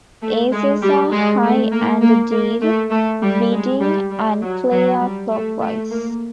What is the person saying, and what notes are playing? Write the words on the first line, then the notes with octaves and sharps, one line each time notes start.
Aces are high and the deal, bidding and play are clockwise.
A3
G#3
G3
G#3
A3
A#3
A#3
A#3
A3
A3
G3
G#3
G3
G3
F#3
F#3
G3
A3
A3
A#3